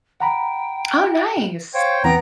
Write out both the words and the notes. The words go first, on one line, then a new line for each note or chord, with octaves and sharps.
Oh, nice.
F#5 G5 A#5 B5
C5 C#5 F5 G5
E2 E3 B3 C4 G5 A#5